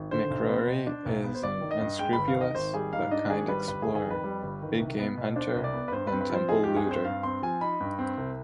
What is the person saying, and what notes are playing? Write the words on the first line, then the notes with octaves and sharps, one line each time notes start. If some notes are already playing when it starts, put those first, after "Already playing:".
McRory is an unscrupulous but kind explorer, big-game hunter, and temple looter.
Already playing: G#1
D3 C5
B1
B3
B2
D4
B1
B3
C5
G1 D5
D#3
D#5
G2
G#3 G5
G1 B5
F5
D#3 D#5
G#1 C5
G3 G#4
G#2 F5
D4 D#5
G#1 G#4
G3 B4
G1 B4
G#4
D#3
G#4
F2 B4
G3
G1
D#3
C2
B3
B2
D4 C5
C2
D5
B3
B4
G2 C5
B4
C4
B4
F3 C5
D#4 G#4
G2 G4
G#4
C4 C5
G2 F5
C4 C6
F3 G#5
D#4 B5
G2
C4
C2